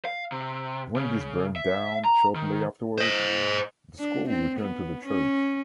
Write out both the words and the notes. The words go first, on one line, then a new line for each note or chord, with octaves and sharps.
When this burnt down shortly afterwards, the school returned to the church.
F5
C3
C#3
E5
A#5
D#3
C5 D#5
D4
C4
B3
C#4